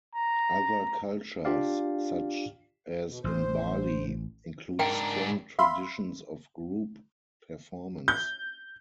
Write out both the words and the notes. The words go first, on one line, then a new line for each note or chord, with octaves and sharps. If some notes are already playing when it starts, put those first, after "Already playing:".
Other cultures, such as in Bali, include strong traditions of group performance.
A#5
D4 F4 G4 D5 F5
B2
A1 C5
G#2 D4 A#4 G5
E5 F5 B5 C6
G6